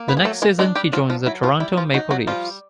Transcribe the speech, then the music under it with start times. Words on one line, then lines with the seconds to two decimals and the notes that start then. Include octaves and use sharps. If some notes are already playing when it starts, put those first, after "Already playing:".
The next season, he joined the Toronto Maple Leafs.
Already playing: A#3
0.08 B3 B4
0.17 G#4
0.25 F#3 A3 A4
0.42 G#3 G#4
0.59 G#3 D4 G#4
0.75 G3 G4
0.93 F3 F#3 F4
1.10 F3 F4
1.26 F#3 E4
1.43 F3 F4
1.60 G3 E4
1.77 F3 F4
1.94 F#3 D#4 F#4
2.11 F#3 F#4
2.27 F3 G3 F4